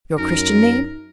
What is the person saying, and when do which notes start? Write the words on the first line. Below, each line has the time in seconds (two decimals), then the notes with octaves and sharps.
"Your Christian name?"
0.18 F#2 D#4 A#4